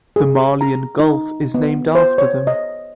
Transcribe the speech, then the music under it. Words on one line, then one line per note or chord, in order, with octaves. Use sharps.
The Malian Gulf is named after them.
G#4
A#5
D#4
B3
C5
C#5
D#5